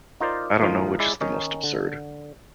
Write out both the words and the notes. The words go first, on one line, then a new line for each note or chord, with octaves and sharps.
I don't know which is the most absurd.
D#4 F4 A#4 C5 D5
A2 D#3 F3 D#4 F4
G#3 E4 D5
D#3 C#4 D#4
D3